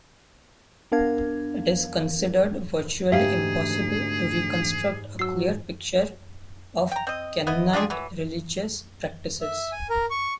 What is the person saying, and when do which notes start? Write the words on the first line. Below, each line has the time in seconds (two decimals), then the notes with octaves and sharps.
It is considered virtually impossible to reconstruct a clear picture of Canaanite religious practices.
0.92 B3 D4 A#4 F5 G#6
3.12 D2 G#2 G4 G#4 E5 F5
5.19 F#3 E6 C7
6.92 G5 A#5
7.07 C4 D#5
7.47 B3 E4 D#5
7.73 D4 F4 G4 G#4
7.90 E3 F#3
9.41 E5
9.72 G#5
9.90 A#4
10.10 C#6